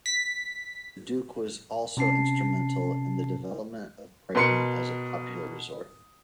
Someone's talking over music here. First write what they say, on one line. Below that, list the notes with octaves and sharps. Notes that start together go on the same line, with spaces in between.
The Duke was also instrumental in the development of Brighton as a popular resort.
B6
C3 C#4 A5 C7
B2 A#4 B4 C6 C7 C#7